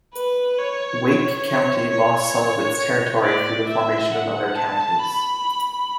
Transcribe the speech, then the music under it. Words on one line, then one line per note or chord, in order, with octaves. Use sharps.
Wake County lost some of its territory through the formation of other counties.
B4
C#5
C#5
C#5
D5
E5
F#5
A5
B5